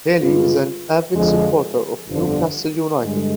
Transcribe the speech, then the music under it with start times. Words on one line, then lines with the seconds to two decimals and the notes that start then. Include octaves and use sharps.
Healy is an avid supporter of Newcastle United.
0.21 G2 D3 G#3 B3 F4
1.15 F2 D3 F3 G#3
2.08 G1 F2 D3 F3
3.03 G2 D3 G#3